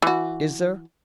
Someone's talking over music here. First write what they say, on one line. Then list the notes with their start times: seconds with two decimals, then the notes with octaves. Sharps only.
Is there?
0.02 E3 F#4